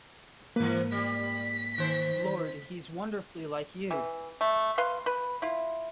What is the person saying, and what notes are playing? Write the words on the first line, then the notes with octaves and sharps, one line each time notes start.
Lord, he's wonderfully like you!
G#2 E3 A#3 B4
G3 B6
D#3 C5
E3
A3
B4 F5 C6
B4
E4 F4